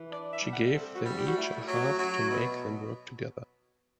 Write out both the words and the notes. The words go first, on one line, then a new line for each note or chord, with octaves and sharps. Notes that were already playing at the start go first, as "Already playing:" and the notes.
She gave them each a half to make them work together.
Already playing: E3
D4 D5
E5
G3
F#5
C4 A4
F#4
G3
G4
F#4
A3 E4
F#3
F#3 F#4
B2